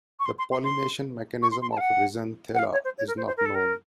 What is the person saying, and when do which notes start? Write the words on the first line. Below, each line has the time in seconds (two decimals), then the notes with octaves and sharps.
The pollination mechanism of "Rhizanthella" is not known.
0.20 C#6
0.26 C6
0.39 C6
0.52 C6
0.64 C6
1.42 C#6
1.51 C6
1.62 C6
1.72 A5
1.77 F5
1.81 F#5
2.54 F#5
2.59 F5
2.73 C#5
2.85 C5
2.98 C#5
3.08 A#4
3.17 C5
3.27 C5
3.37 A#4
3.45 A4
3.55 A#4